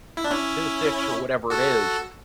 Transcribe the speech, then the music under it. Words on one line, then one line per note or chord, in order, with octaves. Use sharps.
statistics, or whatever it is,
E4
D4
C#4 E4
F#4 A4